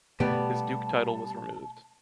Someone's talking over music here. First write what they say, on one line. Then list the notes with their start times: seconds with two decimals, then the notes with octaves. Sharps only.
His duke title was removed.
0.20 B2 G3 A3 B3 G4 A5